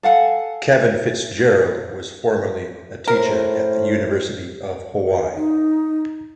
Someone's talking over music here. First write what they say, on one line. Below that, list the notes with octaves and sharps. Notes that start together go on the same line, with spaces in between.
Kevin Fitzgerald was formerly a teacher at the University of Hawaii.
A4 F5 F#5 G#5
A2 A#4 C5
D#4